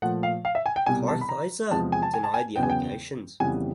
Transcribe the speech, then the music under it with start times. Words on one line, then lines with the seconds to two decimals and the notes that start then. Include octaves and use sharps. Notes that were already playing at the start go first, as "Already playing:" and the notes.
Kartheiser denied the allegations.
0.02 A#2 F3 A3 F#5
0.23 F5
0.45 F5
0.55 E5
0.66 G#5
0.76 G5
0.86 C2 B2 G3 G#5
1.08 A5
1.21 B5
1.29 A#5
1.71 E2 C3 F3 G#3 A5
1.92 G#5
2.03 A5
2.14 G#5
2.24 A5
2.34 G#5
2.56 E2 C#3 F#3 B3 G5
2.63 G#5
2.70 G5
3.40 F2 C#3 E3 G3 B3 G#5